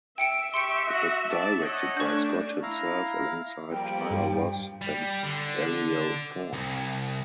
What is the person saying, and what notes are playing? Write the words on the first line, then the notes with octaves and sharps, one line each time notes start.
It was directed by Scott himself alongside Tyler Ross and Eliel Ford.
E5 G5 C#7 D7
G4 E5 C6 C#6 C#7 D7
F#4
D5 A5
C#5 D#5 F#5
A3 C#4 D4 C#6 G6
E4 F5 A#5
F3 G3 A#3 G5
G2
G3
D3
C2